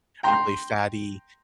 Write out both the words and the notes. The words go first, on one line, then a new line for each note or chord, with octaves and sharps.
really fatty,
G5 A#5 C6